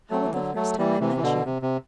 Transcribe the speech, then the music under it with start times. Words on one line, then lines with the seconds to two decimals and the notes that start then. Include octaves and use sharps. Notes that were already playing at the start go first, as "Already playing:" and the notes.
How about the first time I met you?
0.10 F#3 A3
0.24 E3
0.32 D3 F#3
0.55 F#3 A3
0.78 E3 G3
1.00 C3 E3
1.16 E3
1.23 B2 D3
1.45 C3
1.62 C3